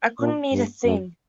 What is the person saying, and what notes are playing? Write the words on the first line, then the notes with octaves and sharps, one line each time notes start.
I couldn't eat a thing.
A#2
G2
F#2